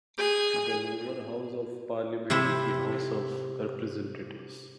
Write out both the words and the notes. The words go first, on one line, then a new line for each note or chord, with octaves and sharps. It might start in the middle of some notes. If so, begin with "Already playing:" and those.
The lower house of parliament is the House of Representatives.
G#4 G#5
C3 C4 E4 E5